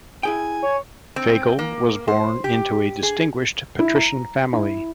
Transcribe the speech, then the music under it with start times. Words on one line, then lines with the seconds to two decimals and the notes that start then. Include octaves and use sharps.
Fagel was born into a distinguished patrician family.
0.23 E4 G#4 G5 G#5
0.62 C#5
1.16 C4
1.59 A#3
2.08 C5
2.44 G4
3.03 G#4
3.79 E4
3.95 A#5
4.53 E4